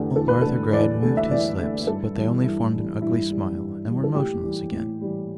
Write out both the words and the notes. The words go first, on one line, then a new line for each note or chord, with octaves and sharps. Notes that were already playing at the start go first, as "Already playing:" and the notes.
Old Arthur Gride moved his lips, but they only formed an ugly smile and were motionless again.
Already playing: E2 D3 A3 G4
E2 A4
B4
D3 A3 A4
E2 D5
D3 A3
E5
E2 D5
D3 A3
G2 A4
E3 G3
G2 E4
E3 G3
G2 E4
E3 G3
G2
E3 G3
A4
A2 G4
E3 G3
A2
E3 G3